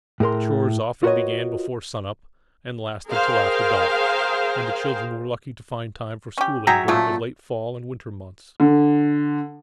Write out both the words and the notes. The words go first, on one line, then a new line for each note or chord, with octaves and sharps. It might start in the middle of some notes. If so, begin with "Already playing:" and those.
The chores often began before sun-up, and lasted till after dark; and the children were lucky to find time for schooling during the late Fall and Winter months.
A2 G#4 A#4 C6
F4 F#4 A#4 B4 C#5 D#5
G#4 A#4 C5 F5 G5
C#4 G4
F#3 G#4 C#5 E5 G5 A#5
A#2 C#3 F3 A3
D3